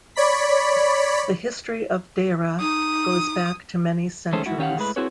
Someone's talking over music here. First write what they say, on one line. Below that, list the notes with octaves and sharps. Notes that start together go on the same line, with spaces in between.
The history of dayereh goes back to many centuries.
C#5 D5 B5 B6
D#4 D#6
D#3 G#3 A3 C#4 A4 C5
G#2 E4 F#4
D#3 C#4 G4 D#5 F5 F#5
A2 G#3 E4 B4
C4 E4 F#4 G#4 B4 C#5